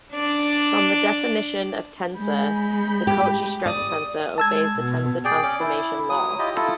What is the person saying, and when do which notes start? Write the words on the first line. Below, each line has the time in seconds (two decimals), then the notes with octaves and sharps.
From the definition of tensor, the Cauchy stress tensor obeys the tensor transformation law.
0.13 D4 D5
2.17 G#3 B5 G6
3.07 G4
3.66 D5 D#6
4.38 G#3 A5 E6 G#6
4.79 B2
5.25 G#4 D5 G5
5.43 C#4 D6
5.60 E4
6.10 F#3 D#6
6.39 E4 F4 G4 D#5
6.56 E4 F4 A4